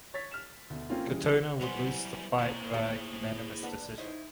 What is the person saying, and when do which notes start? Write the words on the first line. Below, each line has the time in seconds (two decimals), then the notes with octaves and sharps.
Katona would lose the fight via unanimous decision.
0.14 C#5 A6 B6
0.31 F6 E7
0.70 D2 B2
0.89 A#3 C4 C#4 F4
1.06 C#3 E3 G3 G#4
1.61 F#3 G3 B3 E4 C5 G#5
2.39 C3 A#3 E4 C5 C#5 G#5
2.74 D#4 F4 G4 G#4
3.63 D4 B4 F#5
3.98 D#4 E4 C5 C#5 D#5